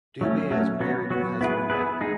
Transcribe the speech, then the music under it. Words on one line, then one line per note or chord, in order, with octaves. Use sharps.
Dubey is married and has one daughter.
F#3 A3 C#4
F#3 A3 C#4
F#3 B3 F#4
F#3 B3 F#4
B3 E4 G#4 B4
B3 E4 G#4 B4
G#3 D#4 G#4